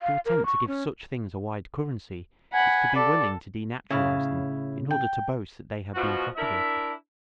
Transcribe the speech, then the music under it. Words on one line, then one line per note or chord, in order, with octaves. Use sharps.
To attempt to give such things a wide currency is to be willing to denaturalise them in order to boast that they have been propagated.
F5
A#4
C#6
C#4
F#5 G#5 B5
A4 D5
A2 C#3 E4 F5
G5
B2 F3 F#4
D4 E4 A#4 E5